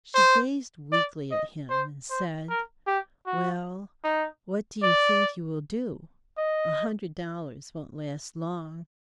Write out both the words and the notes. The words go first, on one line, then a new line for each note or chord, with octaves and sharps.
She gazed weakly at him and said: "Well, what do you think you will do? A hundred dollars won't last long."
C5
D5
D#5
C5
C5
A#4
G4
F#4
D#4
D5
D#5